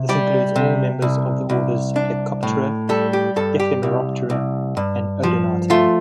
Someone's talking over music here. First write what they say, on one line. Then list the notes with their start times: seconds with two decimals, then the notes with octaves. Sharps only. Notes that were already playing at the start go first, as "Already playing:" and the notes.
This includes all members of the orders Plecoptera, Ephemeroptera, and Odonata.
Already playing: C3
0.09 G3 D5
0.56 C3
1.02 C2
1.50 C2
1.96 D4
2.43 A2
2.89 G3 A4
3.13 G4
3.36 G2 A4
3.60 G4
3.83 C2
4.30 C2
4.77 G2
5.23 F3
5.70 A3 F4